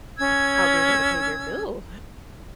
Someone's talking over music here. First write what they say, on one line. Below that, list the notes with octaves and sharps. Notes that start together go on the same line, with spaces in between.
how they're gonna pay their bills,
C#4 E6 G#6